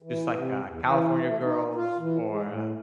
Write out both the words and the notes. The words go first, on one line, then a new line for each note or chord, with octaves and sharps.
just like, uh, California Girls or, uh,
E3
C3
E2
E3
A3
D#4
F4
E3
G#3
A2